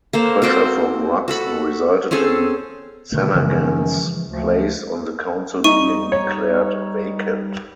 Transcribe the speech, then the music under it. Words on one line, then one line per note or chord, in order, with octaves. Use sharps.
Pressure from Ruxton resulted in Sanaghan's place on the Council being declared vacant.
A#3 A4 C5
C4 F#4 C5 G5
F#4 A4 B5
C4 C#4 G#4 A4
B2 D3 D#3 A3
F#2 C#3 E3 F3 G#3 F4
D2 F3
G3 D#4 C#6 D#7
C#5